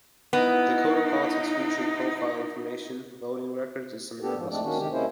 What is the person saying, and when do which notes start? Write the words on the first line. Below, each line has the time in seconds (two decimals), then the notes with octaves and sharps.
DakotaPolitics featured profile information, voting records and some analysis.
0.33 B3 D#4 E4
4.22 B3 D4 G4 A4
4.36 G#2 F3
4.50 G#3 A3 C4 D4 D5
4.63 D#3 A#3 C#4 D4 F#4
4.79 C3 D#3 G#3 G4
4.92 C3 G#3 A#3 C#4 E4 C5